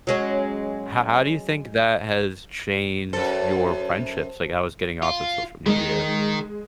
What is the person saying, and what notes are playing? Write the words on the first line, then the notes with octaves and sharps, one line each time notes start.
How how do you think that has changed your friendships? Like, how was getting off of social media
F#3 G#3 C#4
F#2 A4 C5 A5
F4
D#3 G#3 D#4